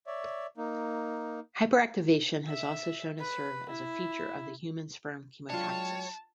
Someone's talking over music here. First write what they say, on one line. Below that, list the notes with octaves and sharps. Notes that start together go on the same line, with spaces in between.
Hyperactivation has also shown to serve as a feature of the human sperm Chemotaxis.
C#5 D5 E5
A#3 D#4
E5
B4
E4
F#3 G#3 D4 F4 C#5 G5 A5